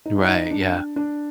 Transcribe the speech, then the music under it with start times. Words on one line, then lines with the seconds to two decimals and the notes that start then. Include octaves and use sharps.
Right, yeah.
0.06 D#4
0.28 D#4
0.51 D4
0.96 D4